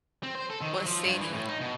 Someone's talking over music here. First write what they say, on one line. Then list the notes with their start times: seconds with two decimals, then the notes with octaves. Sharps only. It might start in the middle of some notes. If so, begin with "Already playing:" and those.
What city?
0.23 C4
0.35 C5
0.50 A4
0.62 D#3
0.73 F#3
0.86 F3
1.05 G2
1.21 E3
1.33 A2
1.49 D#4
1.61 B2